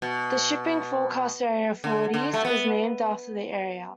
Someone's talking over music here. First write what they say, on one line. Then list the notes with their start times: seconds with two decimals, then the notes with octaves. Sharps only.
The Shipping Forecast area "Forties" is named after the area.
0.02 B2
1.84 D3
2.14 D3
2.33 A3
2.45 B3